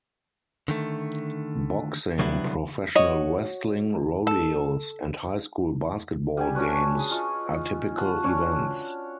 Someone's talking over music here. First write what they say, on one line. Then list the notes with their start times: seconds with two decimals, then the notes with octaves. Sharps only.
Boxing, professional wrestling, rodeos, and high school basketball games are typical events.
0.68 D3 D#3 A3
2.19 C3 F#3 G3 B3 D4 E4
2.95 F#4 C#5 D#5
4.27 A4
6.37 G3 G4 G#5
6.55 C#4 D4 F#4 B4
6.95 G#4 B5
7.11 F4 D#5 C#6
7.97 F4 F#4 F#5 A5
8.24 C#4 D4 C#5